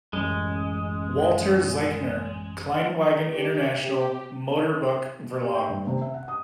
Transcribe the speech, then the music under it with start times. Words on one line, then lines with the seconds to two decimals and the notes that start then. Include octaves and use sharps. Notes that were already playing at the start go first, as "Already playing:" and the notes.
Walter Zeichner: Kleinwagen International, Motorbuch-Verlag.
0.13 A1 F#2 G#3
3.33 G4
3.82 G4
5.41 G4
5.55 G5
5.70 G2
5.87 C3
6.01 E5
6.14 F#5
6.28 D#6